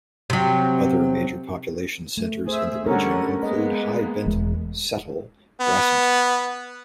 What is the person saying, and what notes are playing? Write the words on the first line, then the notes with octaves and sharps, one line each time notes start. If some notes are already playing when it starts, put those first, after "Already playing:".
Other major population centres in the region include High Bentham, Settle, Grassington.
C3 F#3
A3
G#4 C5 E5
D3 G3 C#4 A#4 F#5
G#3 A#3 B3 D#5
E1 E2 G#3
B3